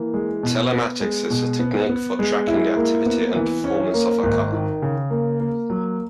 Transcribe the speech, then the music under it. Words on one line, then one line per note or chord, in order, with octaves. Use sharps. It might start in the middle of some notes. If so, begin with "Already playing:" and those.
Telematics is a technique for tracking the activity and performance of a car.
Already playing: E3 A#3
G#3
B2
B3
G#3
B2
B3
B3
G#3
E4
A#3
B3
E3
C#4
A#3
G#1
D#3
C#3
A#3
A#3
F#3